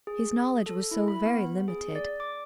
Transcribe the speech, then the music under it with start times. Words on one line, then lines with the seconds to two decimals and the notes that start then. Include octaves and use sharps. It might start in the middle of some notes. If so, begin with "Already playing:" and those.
His knowledge was so very limited.
0.07 G#4
0.66 A4
0.91 E4
1.08 B5
1.26 B3
1.68 G#4
1.95 D5
2.20 D6